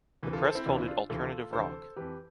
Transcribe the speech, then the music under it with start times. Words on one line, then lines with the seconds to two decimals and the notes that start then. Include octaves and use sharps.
The press called it “Alternative rock”.
0.23 D2 C3 E3
0.33 F4 A4
0.44 A4 C5
0.55 C4 E4
0.66 D2 C3 E3 D4 F4
0.77 C4 E4
0.87 D4 F4
1.10 D2 C3 E3 F4 A4
1.53 D2 C3 E3 A4 C5
1.97 F2 E3 G4 B4